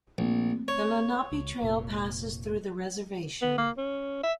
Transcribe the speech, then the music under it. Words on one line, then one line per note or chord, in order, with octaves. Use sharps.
The Lenape Trail passes through the reservation.
A#1 A3 C4
C#5
C#2
F1 A#2
B3
A#3
C#4
E5